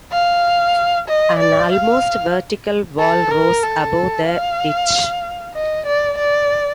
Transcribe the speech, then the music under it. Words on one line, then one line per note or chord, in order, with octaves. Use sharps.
An almost vertical wall rose above the ditch.
F5
D#5
D5
F5
A4
A#4
A4
F5
D#5
D5
D5